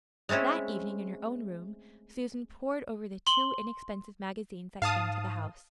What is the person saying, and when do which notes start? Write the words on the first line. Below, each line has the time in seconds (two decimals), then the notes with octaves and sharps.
That evening, in her own room, Susan pored over the two inexpensive magazines that came to the house.
0.29 G#3 A3 C4 C#4 E4
3.27 C6 F#7 G7
4.82 G#2 F5 A5 D#6